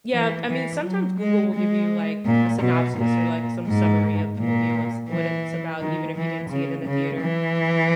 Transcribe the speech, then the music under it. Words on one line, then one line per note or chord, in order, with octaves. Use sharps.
Yeah, I mean, sometimes Google will give you, like, a synopsis or, like, some summary of the movie and what's what it's about, even if you didn't see it in the theater.
E3
E3
F#3
G#3
G#3
A#2
B2
A#2
G#2
A#2
E3
D#3
E3
C#3
C#3
E3